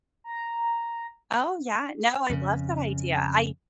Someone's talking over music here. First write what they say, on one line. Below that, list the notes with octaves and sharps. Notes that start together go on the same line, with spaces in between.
Oh, yeah, no, I love that idea. I
A#5
F2 A#2 C#3